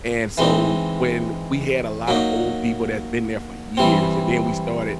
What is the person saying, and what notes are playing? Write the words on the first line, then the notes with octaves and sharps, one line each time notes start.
and so, when we had a lotta old people that's been there for years, and then we started
E3 G#3 C4 D#4
F#3 A#3 D#4
E3 G3 C4